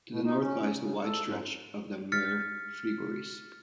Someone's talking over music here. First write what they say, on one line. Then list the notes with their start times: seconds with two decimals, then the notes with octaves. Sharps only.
To the north lies the wide stretch of the Mare Frigoris.
0.10 B2
0.25 D#4
0.39 C#4
0.75 C#3
1.02 A4
1.27 G#2
2.12 F6 A6 B6 C#7